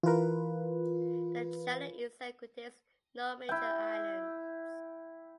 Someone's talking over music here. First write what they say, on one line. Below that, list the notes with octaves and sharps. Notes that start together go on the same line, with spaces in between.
The channel itself contains no major islands.
E3 F4 A#4 B4
E4 G5